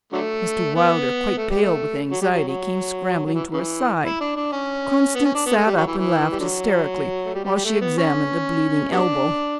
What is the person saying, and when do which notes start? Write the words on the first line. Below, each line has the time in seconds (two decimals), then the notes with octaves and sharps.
Mr. Wilder, quite pale with anxiety, came scrambling to her side. Constance sat up and laughed hysterically, while she examined a bleeding elbow.
0.13 D3 F#3 A3
0.75 B3
1.38 A3
1.50 G3
1.62 A3
2.11 F#3
2.22 G3
2.31 F#3
2.48 F#3
3.26 F#3
3.34 E3
3.53 C#3 E3
4.04 E4
4.20 D4
4.36 D4
4.52 C#4
5.15 B3
5.25 C#4
5.35 D4
5.46 B3
5.56 A3
5.67 G3
5.77 F#3
5.87 E3
5.98 E3
6.32 G3
6.39 D3 F#3
7.25 A3
7.34 G3
7.44 G3
7.55 G3
7.65 A3
7.81 B3
7.97 C#4
8.91 G3 B3 D4